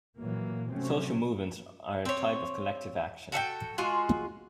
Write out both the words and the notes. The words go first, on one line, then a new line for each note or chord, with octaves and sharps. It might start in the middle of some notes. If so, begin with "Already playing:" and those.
Social movements are a type of collective action.
A#2 E3 F#3 A#3
C3 F#3 A3 C4 C#4
C4 C#5
F#4 A4 E5 G5
G#3 F4 F#4 G#4